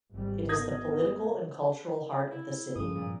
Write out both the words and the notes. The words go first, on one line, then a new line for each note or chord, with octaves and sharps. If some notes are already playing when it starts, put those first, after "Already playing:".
It is the political and cultural heart of the city.
G#1 G3
B2 D#6 G#6 A#6
E4
G2 C#3 F3 D#6
A#2